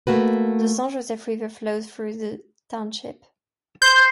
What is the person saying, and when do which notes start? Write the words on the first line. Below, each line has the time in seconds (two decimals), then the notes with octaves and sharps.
The Saint Joseph River flows through the township.
0.07 A3 A#3 F#4 B4
3.82 C5 G6